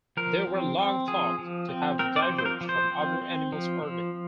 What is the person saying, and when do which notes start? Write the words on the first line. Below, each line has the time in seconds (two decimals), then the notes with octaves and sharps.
They were long thought to have diverged from other animals early.
0.17 F3 A#4
0.47 C4
0.79 C4
1.08 F3 G#4
1.39 F3
1.69 C4
1.99 C4 A#4
2.16 D5
2.22 C5
2.30 F3
2.38 C5
2.46 A#4
2.61 F3
2.69 C5
2.91 C4
3.22 C4
3.52 F3
3.83 F3